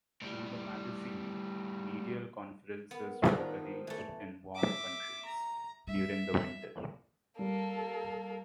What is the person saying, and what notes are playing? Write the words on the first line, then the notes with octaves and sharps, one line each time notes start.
Through the magazine, medial conferences were arranged in warm countries, during the winter.
A2 G3
B3 A#4
D#3 F3 G3 D4 F#4
E3 A3
E5 D6
A#5
G3 E5
G3 A#3 A4